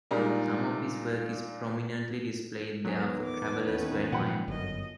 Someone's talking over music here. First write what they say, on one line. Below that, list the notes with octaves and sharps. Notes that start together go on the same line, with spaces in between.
Some of his work is prominently displayed there for travellers to admire.
A#2 G3 G#3 D4 D#4 A#4
E2 D#3 F#3 B3 G#4
D6
D#2 C#4 B4
A#2 F3 F#3 F#5 G5 B5
G1 F#2 D3 D#5